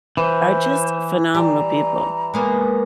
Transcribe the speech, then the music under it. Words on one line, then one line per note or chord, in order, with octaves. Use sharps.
are just phenomenal people.
E3 C5
G3 A#5
G#3 A#3 B3